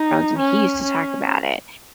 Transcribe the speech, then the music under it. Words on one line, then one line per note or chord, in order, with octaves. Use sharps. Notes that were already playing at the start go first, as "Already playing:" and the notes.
Thrones," and he used to talk about it.
Already playing: D#4
C#4
C#4